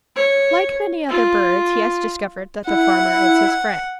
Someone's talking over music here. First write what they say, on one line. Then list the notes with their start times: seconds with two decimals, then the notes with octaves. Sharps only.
Like many other birds, he has discovered that the farmer is his friend.
0.16 C#5
1.09 F4
2.67 E4 F#5